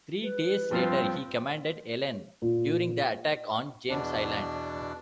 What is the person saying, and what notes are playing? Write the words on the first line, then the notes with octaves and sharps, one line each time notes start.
Three days later, he commanded "Ellen" during the attack on James Island.
B4
G2 F3 C4 F4
A#2
E2 B2 D4